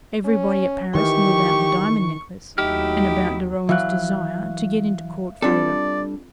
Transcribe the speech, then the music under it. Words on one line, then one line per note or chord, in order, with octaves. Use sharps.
Everybody at Paris knew about the Diamond Necklace, and about de Rohan's desire to get into court favor.
C#4
D#3 E3 G4 C#6
D#2 F#3 A3 D#4 E4 G4 F6
E3 F#3 E5 F5 F#6
G3 C4 D4 F4 A4 D5